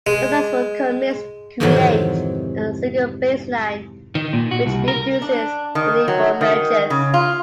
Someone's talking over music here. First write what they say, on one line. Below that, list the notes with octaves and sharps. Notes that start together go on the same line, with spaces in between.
Successful commits create a single baseline, which reduces the need for merges.
G#3
F2 G#2 C3 D#3 E3 F#3
D#3
A#2
F#4
C2
A#4
D4
D#3
F#3
D#3
C#3
F4